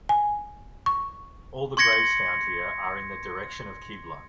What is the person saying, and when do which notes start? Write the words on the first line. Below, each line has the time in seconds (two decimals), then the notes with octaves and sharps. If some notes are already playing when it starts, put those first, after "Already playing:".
All the graves found here are in the direction of Qibla.
0.09 G#5
0.86 C#6
1.77 C6 C#6 G#6 A#6 C#7